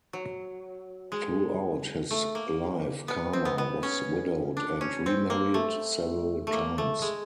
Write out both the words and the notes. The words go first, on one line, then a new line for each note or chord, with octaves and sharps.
Throughout his life Khama was widowed and remarried several times.
F#3
G#3
A3
A#3
B3
C4
B3
B3
C#4
D4
C#4
C4
A#3
A3
A3
A#3
A3
G#3